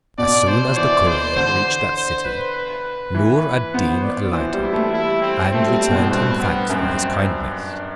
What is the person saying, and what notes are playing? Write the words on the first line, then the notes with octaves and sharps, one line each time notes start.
As soon as the courier reached that city, Noor ad Deen alighted, and returned him thanks for his kindness.
B2 D5
C5
E3 D5
C5
D3 C5
C5
C5
B4
B4
E3
B3 C5
D5
E3 C5
G3
E4
A3
G3 E4
C4
A3 C4
G3
G3
B2
A2
G2 C4
B3
F#2 C4
D4